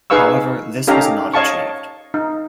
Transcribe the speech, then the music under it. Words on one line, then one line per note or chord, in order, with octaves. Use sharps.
However, this was not achieved.
D#4 G#4 B4 F5 C#6 E6
C#4 D#4 G4 A4 F5 A#5
C#5 D#5 F5 A5 C#6
D#4